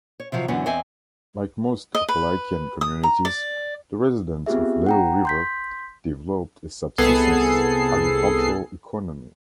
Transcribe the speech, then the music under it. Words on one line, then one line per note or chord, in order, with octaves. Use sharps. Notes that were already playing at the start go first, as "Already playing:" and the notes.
Like most Appalachian communities, the residents of Little River developed a subsistence agricultural economy.
C#5
C3 D#3 F3 F#3
F#2 D3 E3 F#3 B3 C#4
E2 C4 D#5 E5 G#5
D#5
B4
D#6
A#5
D5
B3 C4 F4 G4 G#4 E5
F#5 G5 A#5
C6 G6 B6
C2 B3 G#4 A4 C7